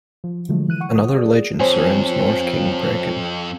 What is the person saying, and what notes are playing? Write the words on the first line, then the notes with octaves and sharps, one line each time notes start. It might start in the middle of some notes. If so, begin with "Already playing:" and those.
Another legend surrounds Norse king Breacan.
F3
D3 F3 F#3 G#3 A3
E3 F#6 D#7
F#5 C#6
D#6
G#4 D5
F2 C5 C#5 G#5